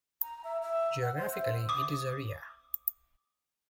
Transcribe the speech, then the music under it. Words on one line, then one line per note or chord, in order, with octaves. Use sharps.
Geographically it is a ria.
A#5
E5
E5
F#5
C5
E5
D6 D#6